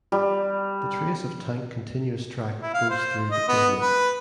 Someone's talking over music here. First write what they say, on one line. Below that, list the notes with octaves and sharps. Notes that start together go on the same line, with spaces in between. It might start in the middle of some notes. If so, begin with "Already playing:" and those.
The trace of tank continuous track goes through the pavement.
G3
E4
F5
C5
D#5
B3
B4